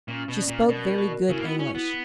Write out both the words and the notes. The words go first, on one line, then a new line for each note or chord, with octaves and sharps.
She spoke very good English.
A#2 C#4
B2
D5
A#2
B2 A#4
F#4
C#3 E4
A#3
B3
C#4 E4
B3